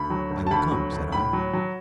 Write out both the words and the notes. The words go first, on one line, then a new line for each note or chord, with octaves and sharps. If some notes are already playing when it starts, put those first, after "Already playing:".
"I will come," said I.
Already playing: D2 B5
F#3
D2
A5
D2 B5
F#3
D2
A2 B5
F#3
F#3